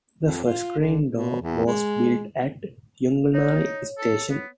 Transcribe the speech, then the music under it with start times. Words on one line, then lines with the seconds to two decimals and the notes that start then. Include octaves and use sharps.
The first screen door was built at Yong'anli Station.
0.23 F2
0.44 F4
0.79 D3
1.11 B2
1.41 E2
1.66 G#3
3.35 D#4 C#5
3.98 A4
4.30 B3